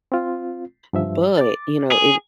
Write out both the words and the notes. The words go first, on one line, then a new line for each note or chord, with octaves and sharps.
but, you know, if
C4 F4
G2 F3 E5
D6 A6
G#4